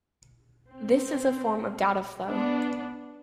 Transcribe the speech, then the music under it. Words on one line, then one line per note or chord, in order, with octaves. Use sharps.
This is a form of dataflow.
C4
B3 D4